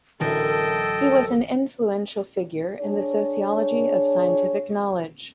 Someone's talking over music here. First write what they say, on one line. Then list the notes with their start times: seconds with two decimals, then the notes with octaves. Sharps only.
He was an influential figure in the sociology of scientific knowledge.
0.20 A1 F#2 D3 E3 A4 D#5 G5 A5
2.80 D4 G#4 C#5